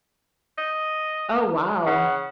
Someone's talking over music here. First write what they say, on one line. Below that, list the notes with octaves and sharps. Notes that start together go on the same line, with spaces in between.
Oh, wow.
D#5
C#3 F#5